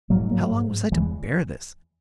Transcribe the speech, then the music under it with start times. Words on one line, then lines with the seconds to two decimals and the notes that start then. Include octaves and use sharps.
How long was I to bear this?
0.10 G#2 F#3 A#3
0.31 F#3 A#3
0.51 G#2
0.92 E2 E3 G#3